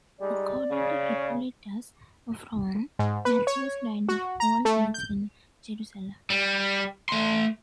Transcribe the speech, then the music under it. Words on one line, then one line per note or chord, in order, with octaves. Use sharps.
According to Hippolytus of Rome, Matthias died of old age in Jerusalem.
G3 G#3 D#4 D5
C#3
G#2
B4
C#5
F#4
A#5
A3
G6
G3
A3 C6